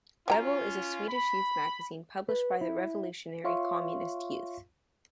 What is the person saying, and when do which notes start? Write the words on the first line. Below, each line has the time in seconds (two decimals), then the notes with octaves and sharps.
Rebell is a Swedish youth magazine published by the Revolutionary Communist Youth.
0.28 F#3 C#4 F4 G5 A#5
1.09 B5
2.29 B4
2.61 E4
3.44 F4 C#5 E5 F5 C6 C#6